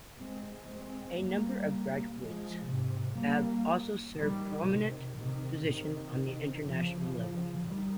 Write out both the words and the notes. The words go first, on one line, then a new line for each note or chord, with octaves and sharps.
A number of graduates have also served prominent positions on the international level.
G#3 C4
G#3 C4
G3 A#3
F3 G#3
G#2 C3
G3 A#3
D#3 G3
C3 D#3
C3 D#3
C3 D#3
C#3 F3
D#3 G3